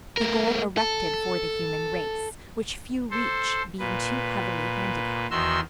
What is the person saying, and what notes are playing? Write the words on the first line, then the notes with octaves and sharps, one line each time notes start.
The goal erected for the human race, which few reach, being too heavily handicapped.
A3 A#4
A4
A4 C5
A#2 B4
E2 D#3 F#4 C6 E6